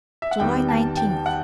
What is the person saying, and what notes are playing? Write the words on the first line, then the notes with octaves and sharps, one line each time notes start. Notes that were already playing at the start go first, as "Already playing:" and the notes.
July Nineteenth.
E5
F#5
E2 D#3 G3 B3 G5
A5
G5
F#5